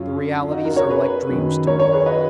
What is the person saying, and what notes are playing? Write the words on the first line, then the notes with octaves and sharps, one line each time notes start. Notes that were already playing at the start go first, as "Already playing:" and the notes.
The realities are like dreams to me.
Already playing: F#2 C#3 C#4 F4
F4
D#4 F#4
F#4 A#4
A#4 C#5
G#4 B4
F#2 D#3
A#4 C#5
A#4 C#5
G#4 B4
B4 D#5